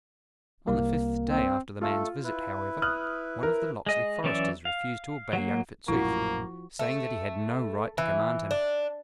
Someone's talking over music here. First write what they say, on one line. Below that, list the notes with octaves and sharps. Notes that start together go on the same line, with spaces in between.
On the fifth day after the man's visit, however, one of the Locksley foresters refused to obey young Fitzooth, saying that he had no right to command him.
C2 A#3
C4
A3 F4 A4
E4 B4
D#6 F6 F#6
A#4
G#3 D#5
E3 F#3 C#4 D5 E5
F5
F#3 A#3
A#1 F#2 A2 F3 A#3 E4 F#4
A3
E3
D4